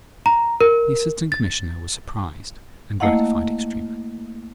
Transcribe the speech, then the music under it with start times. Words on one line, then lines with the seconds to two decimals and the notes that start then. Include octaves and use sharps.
The Assistant Commissioner was surprised and gratified extremely.
0.26 A#5
0.61 A#4
1.32 A6
3.00 A3 A#3 E4 D#5 F5 F#5